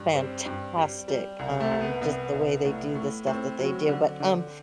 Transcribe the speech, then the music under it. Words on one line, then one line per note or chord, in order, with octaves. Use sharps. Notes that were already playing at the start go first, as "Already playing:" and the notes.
fantastic, um, just the way they do the stuff that they do, but, um
Already playing: G2
G3 C4
G2
G3
G3
C2
A3
C2
B3
C2 B3
C2
A2
A2
A2 C4
F#3
D3
D3